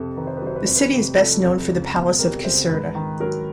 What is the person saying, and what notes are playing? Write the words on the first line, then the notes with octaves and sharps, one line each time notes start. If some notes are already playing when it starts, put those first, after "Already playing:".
The city is best known for the Palace of Caserta.
Already playing: F2 C3 A4
D#3 B4
C5
B4
F#3 C5
B4
F2 C5
B4
C3
F3 A4
F2
C#2
B2
G3 A#4
C#2 C5
G#2 B4
D#3
F#3 A#4